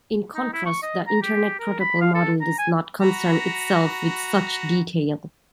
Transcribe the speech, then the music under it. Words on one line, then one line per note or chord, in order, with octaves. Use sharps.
In contrast, the Internet Protocol model does not concern itself with such detail.
D#4
E4
C#6
D#5
A#5
G4
A#4
B5
F5
A4
A#5
G#5
F#4 A#5 B5